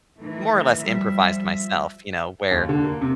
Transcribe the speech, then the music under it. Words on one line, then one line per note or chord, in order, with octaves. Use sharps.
more or less improvised myself, you know, where
D#3 E3 A3
F3 G3 E5
D#2
D3
A#3
C3